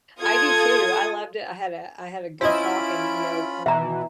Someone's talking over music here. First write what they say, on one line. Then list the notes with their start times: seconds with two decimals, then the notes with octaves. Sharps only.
I do too. I loved it. I had a I had a good talk and, you know, um,
0.20 F4 A4 D#6 G#6
2.41 C#4 E4 F4 C5 D#5 B5 D7
3.66 B2 E3 E5 A#5